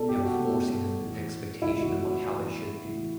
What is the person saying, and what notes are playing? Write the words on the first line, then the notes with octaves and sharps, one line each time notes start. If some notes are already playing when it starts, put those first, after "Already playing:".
you know, forcing a expectation of, like, how they should be,
Already playing: B2 A4 D5
G4
F#4
B2
A2 E3
A2 E3 E4
F#4
F#4
A2 E3
A2 E3